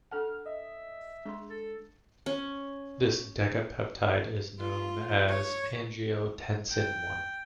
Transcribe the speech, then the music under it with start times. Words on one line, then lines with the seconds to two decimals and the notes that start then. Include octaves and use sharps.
This decapeptide is known as angiotensin I.
0.11 D4 A4 F#5 A5 F6
0.46 D#5 E5
1.26 G#3 D4 G#4 C6
1.49 A4
2.26 C#4
4.60 F4
5.29 C#5
6.71 G5